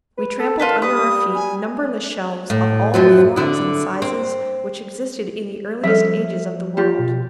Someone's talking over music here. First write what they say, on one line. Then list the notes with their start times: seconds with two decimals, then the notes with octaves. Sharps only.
We trampled under our feet numberless shells of all the forms and sizes which existed in the earliest ages of the world.
0.18 B4
0.40 A4
0.59 D#3 F4 A4 B4
0.82 G3 B4 D#6
1.35 G#5
2.50 A2
2.94 F#2 F3 F#3
3.36 D3 E4
4.02 C4
5.84 F3 G3 A4 E5
6.77 F4 G4
6.99 B2